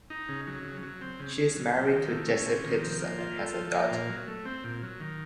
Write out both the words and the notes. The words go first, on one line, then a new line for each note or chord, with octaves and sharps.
She is married to Jesse Peterson and has a daughter.
D#4
C#3
F#3
C#3
F#3
C4
C#3
C#3
F#3
C3
D#3
A3
C#4
C3
D#3
F3
A#3
F4
A4
F3
A#3
A#2
F#3
A3
C4
A#2
F#3
D#3